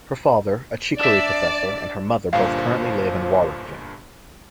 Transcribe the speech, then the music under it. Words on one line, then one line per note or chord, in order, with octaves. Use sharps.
Her father, a chicory professor, and her mother both currently live in Waregem.
D4 D5 E5
G1 G2 A#2 F3 F5